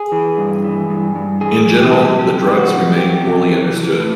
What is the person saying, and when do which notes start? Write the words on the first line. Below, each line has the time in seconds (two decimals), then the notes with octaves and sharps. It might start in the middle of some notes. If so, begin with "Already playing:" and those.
In general, the drugs remain poorly understood.
Already playing: G#4
0.12 E3
0.38 G2
0.64 E3
0.90 G2
1.15 G2
1.41 E3 G#4
1.68 E3
1.80 G4
1.90 G2 G#4
2.01 G4
2.19 C3 G4
2.45 E3
2.58 F#4
2.71 F2
2.97 F2 G4
3.23 C3
3.50 E3
3.74 E3
4.00 A2